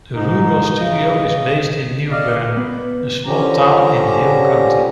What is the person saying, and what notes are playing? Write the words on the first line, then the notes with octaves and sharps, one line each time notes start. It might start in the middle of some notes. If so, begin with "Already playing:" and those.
The Rural Studio is based in Newbern, a small town in Hale County.
G#2 D#4
C#3 D#5
D5 D#5 F5
B3
D3 F3 C#4 G4 A#5